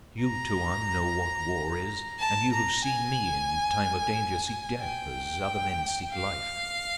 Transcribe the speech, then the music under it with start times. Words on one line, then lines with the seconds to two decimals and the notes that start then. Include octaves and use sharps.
You, Tuan, know what war is, and you have seen me in time of danger seek death as other men seek life!
0.22 A#5
2.19 A5
2.52 A#5
2.85 G#5
4.81 G5
6.12 F5